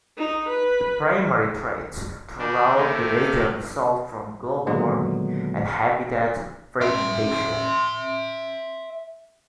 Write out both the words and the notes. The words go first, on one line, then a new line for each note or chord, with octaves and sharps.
The primary threats throughout the region result from global warming and habitat fragmentation.
D#4
B4
D#3 D4
C3 D#3 A3 A#3
A#2 D3 D#3 F#3 G#3 B3
E5 C6